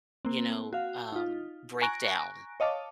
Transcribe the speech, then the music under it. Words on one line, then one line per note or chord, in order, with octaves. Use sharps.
you know, um, breakdown,
A#3 C4
F#4 F5
D#4 F4
G#5 A#5 C#6 F#6 A#6 D7
C#5 D#5 F5 A5 D6